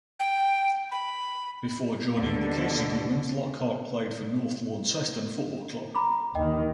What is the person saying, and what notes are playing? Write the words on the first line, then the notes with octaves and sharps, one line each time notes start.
Before joining the Casey Demons Lockhart played for North Launceston Football Club.
G5
B5
D#2 B2 D3
A#5 B5 D6
D#2 D#3 D#5 G5